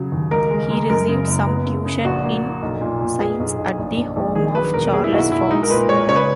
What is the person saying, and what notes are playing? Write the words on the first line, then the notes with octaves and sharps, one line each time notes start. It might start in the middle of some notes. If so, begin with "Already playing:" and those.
He received some tuition in science at the home of Charles Fox.
Already playing: C#3 F#3
D#2
C#2 A#4
G#3
G#3
F#2 A#4
C#3
F#1
B3
C#3
C#3
A#1 F#4
A#3
A#3
B1
A#2
A#2
B3 G#4
B1
B1
A#1
A#1
A#1
D#3 G#4
F#3 B4
E1 A#4
A#3 G#4
E4
B1 F#4
B1 E4
G#3 D#4
A#4
A#2 B4
G#3 C#5
C#3 C#5
B4